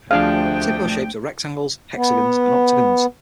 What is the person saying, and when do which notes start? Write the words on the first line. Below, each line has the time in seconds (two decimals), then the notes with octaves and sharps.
Typical shapes are rectangles, hexagons, and octagons.
0.11 D2 C3 F3 D4 G#4 F5 G5
1.96 B3